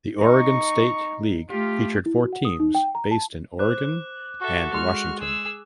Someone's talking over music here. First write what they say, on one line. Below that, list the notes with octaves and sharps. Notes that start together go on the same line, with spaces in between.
The Oregon State League featured four teams based in Oregon and Washington.
D#4 C#6
A3 F4 G4
E4
F#4
F#5
D#6
D#4
G5
A#5
A5
C5 D6 F#6
F#4 A4 E5
G#3 C6 F6
G#4 E6